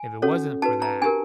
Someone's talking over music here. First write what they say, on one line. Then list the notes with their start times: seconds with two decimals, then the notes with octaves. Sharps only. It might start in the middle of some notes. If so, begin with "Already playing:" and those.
if it wasn't for that,
Already playing: G#5
0.22 C#4 F#4 A4 C#5
0.62 D#4 F#4 B4 A5
0.82 A#5
1.02 D4 G4 A#4 G#5